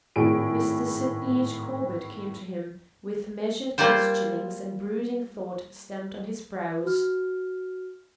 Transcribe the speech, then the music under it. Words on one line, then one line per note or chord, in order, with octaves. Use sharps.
Mr. Sydney H. Corbett came to him with measured questionings and brooding thought stamped on his brows.
G#1 A2 G#4 D7
G3 A#3 F4 G4 C5
F#4 F6